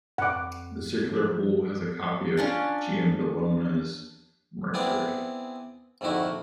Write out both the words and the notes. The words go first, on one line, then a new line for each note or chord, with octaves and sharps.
The circular pool has a copy of Giambologna's Mercury.
F2 F#5 D6
F3
C#4 D4 F4
B3 C4 E4 G#4 D5
A#1 F2 D3 D#3 E4 F#4